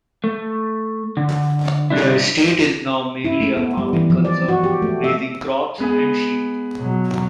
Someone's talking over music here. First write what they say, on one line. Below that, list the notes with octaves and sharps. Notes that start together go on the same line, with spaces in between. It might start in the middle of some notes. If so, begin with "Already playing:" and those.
The estate is now mainly a farming concern, raising crops and sheep.
A3
D3
G3 D4 E4
E4
A3
B3
G3
E3
F3
D5
F#4
G4
A3
E5
G#3 B3 G#4
B2 F#3